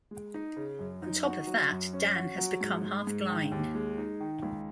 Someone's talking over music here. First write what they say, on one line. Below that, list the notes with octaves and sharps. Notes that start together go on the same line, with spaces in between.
On top of that, Dan has become half-blind.
G#3
D#4
C#3
F#2
D#4
F#4
F#3
F#2
C#4
F#4
F#3
G#2
G#3
G#2
D#3
D#2
G#3
D#4
D#3
C#2